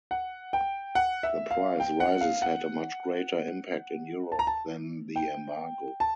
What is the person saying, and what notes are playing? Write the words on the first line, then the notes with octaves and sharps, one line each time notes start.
The price rises had a much greater impact in Europe than the embargo.
F#5
G5
F#5
E5
F5
G5
F#5
F5
F#5
A5
A#5
A5
G5
A5